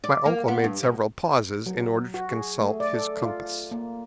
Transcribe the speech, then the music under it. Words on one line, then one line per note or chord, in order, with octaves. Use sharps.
My uncle made several pauses in order to consult his compass.
D5
A#3
B3
G2
B2
F#3
F#4
G#4
A3
D5
A4
F4
A#3